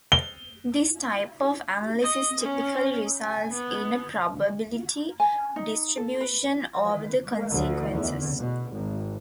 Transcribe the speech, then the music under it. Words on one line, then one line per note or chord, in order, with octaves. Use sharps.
This type of analysis typically results in a probability distribution over the consequences.
G7
D#5
C#4
G#5
B3
G#5
D#4
A4
B4
D2
E2
B2
G#1